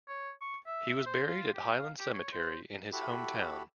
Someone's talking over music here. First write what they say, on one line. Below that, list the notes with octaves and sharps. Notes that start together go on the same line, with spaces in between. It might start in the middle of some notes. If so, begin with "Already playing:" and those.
He was buried at Highland Cemetery in his hometown.
C#5
C#6
E5
E5
C5
F4
G4
F5
G4
C#5
C5
E4 F#4 G4 A4 B5